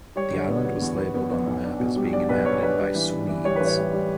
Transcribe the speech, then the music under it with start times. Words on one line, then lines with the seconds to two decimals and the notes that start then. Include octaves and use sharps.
The island was labeled on the map as being inhabited by Swedes.
0.16 G3 C#5
0.33 D3
0.48 B3
0.65 B3
0.81 E2
0.98 B3
1.14 B3
1.31 B3
1.47 B1
1.64 D4
1.80 B2
1.96 G3
2.13 D4 D5
2.29 B1 B4
2.45 D4 C#5
2.63 D4 B4
2.78 G3
2.95 E3
3.11 E3
3.28 E3
3.44 G3 C#5
3.56 A1 B4
3.67 C#5
3.77 G3
3.93 G3